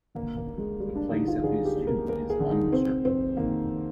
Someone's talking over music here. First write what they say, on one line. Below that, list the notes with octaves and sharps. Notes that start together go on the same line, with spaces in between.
The place of his tomb is uncertain.
D3 A#3
A#3
D#2
G#3
D#2 G3
D4
D3 D#4
F4
D3 G#4
G4
D#2
A#4
D#2 A#4
G#4
D3
D#4
C3 C4
F2 C4
D#3 A#3